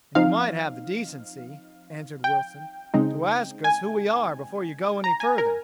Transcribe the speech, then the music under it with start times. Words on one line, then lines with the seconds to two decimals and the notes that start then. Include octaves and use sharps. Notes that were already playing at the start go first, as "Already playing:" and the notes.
"And you might have the decency," answered Wilson, "to ask us who we are before you go any further."
0.15 F3 C4 D#4 F5
2.24 G5
2.94 C#3 G#3 C4 D#4
3.64 G#5
5.04 A#5
5.20 G#5
5.38 A#4